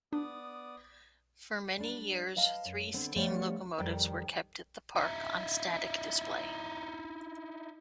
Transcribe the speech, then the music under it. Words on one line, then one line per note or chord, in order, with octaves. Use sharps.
For many years, three steam locomotives were kept at the park, on static display.
B3 D4 D5 D#6
G3 D4
B4 D#5 F5 A5
F#2
D3 B3 C4
F3 G3 A3 B3 C#4 G4
F2 D#3 G3 A4 G5
D#4 E4